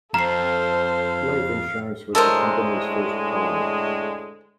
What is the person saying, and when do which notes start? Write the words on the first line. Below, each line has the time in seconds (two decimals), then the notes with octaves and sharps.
Life insurance was the company's first product.
0.14 F2 A4 C5 F5 A#5 C7
2.15 A2 D3 G#3 A4 A#4 C5